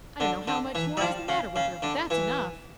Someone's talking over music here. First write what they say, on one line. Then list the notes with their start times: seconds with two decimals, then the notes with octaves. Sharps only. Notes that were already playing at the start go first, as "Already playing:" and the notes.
I don't know how much more is the matter with her, but that's enough.
0.20 D3
0.48 D3
0.75 E3
0.97 G3
1.01 F3
1.28 C#3
1.56 C#3
1.82 D3
2.10 E3